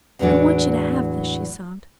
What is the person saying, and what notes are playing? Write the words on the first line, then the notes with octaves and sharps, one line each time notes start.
"I want you to have this," she sobbed.
E2 A2 F#3 G#3 D4 D5